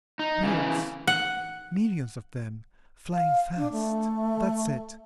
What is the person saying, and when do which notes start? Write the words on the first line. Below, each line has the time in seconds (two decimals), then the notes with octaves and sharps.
"Birds!--millions of them--flying fast--that's it!"
0.19 D#4
0.43 C#3 E3
1.07 F#5
3.13 F5
3.57 D4
3.72 A3